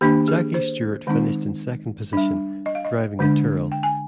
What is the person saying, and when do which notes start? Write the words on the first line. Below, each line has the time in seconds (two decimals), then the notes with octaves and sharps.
Jackie Stewart finished in second position, driving a Tyrrell.
0.01 D#3 A#3 D4 G4
0.28 G#4
0.54 C5
1.07 D#3 G#3 C4 D#4
2.13 G3 D4
2.66 D#5
2.75 F5
2.85 D#5
3.19 D3 G#3 D4
3.72 G5
3.83 G#5